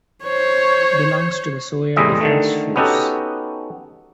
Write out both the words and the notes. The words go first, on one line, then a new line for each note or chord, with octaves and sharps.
Belongs to the Soya Defense Force.
C5 C#5
E2 A2 G3 G#3 D#5 E5
D3 D#3 A3
B3 C#4 D#4 F#4 G4 A4